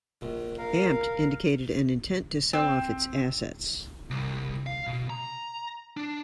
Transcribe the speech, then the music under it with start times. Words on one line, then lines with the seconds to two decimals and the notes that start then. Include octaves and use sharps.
Amp'd indicated an intent to sell off its assets.
0.22 A#1
0.58 A#4 F5
2.53 C4
4.10 C2
4.66 F5
4.87 B2
5.10 A#5
5.97 D4